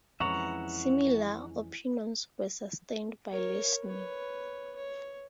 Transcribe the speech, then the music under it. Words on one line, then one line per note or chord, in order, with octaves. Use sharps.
Similar opinions were sustained by Lisseanu.
F2 E3 G#3 C#4 E5 F#5 A#5 C#6
A#4 C#5
B4 C#5
C#5